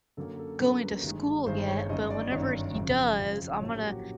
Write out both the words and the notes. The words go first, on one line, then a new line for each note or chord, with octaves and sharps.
going to school yet, but whenever he does, I'm gonna
F#2 D3 F#3 A#3 C#4 A4
A4
F#2 D3 F#3 A#3 C#4 B4
G1 G2 D#3 G#3
G1 G2 D#3 G#3 C5
C#5
G1 F#2 D#3 D#5
D5
G1 F#2 D#3 C#5
F#1 F2 C#3
F#1 F2 C#3
A#1 A2 F#3 A#3 C#4 C#5
G4
F#4